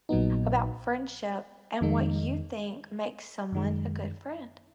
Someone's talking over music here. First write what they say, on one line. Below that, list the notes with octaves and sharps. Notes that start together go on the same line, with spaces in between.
about friendship and what you think makes someone a good friend.
A#1 A#2 F#3 B3 D#4
F2 D#3 G#3 D#4
F#2 D#3 G#3